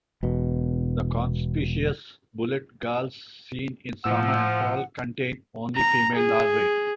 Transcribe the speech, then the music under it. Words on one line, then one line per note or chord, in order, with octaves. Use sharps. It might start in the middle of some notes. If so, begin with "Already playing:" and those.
The conspicuous bullet galls seen in summer and fall contain only female larvae.
E1 B2
A2 F3 F#5 E6
A#5
G#4